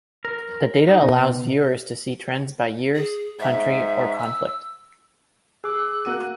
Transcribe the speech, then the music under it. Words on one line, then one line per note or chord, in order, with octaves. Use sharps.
The data allows viewers to see trends by years, country, or conflict.
A#4
D#4
B2
G#4
G#2 E5
E6
G#4 D6 E6 F#6
A#3 F#4 D#7